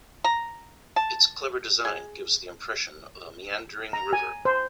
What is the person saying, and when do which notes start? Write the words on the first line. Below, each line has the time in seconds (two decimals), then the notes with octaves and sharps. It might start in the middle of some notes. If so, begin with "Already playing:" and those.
Its clever design gives the impression of a meandering river.
0.24 A#5
0.96 A5
1.85 G#4
3.93 A#5
4.13 G#5
4.45 C5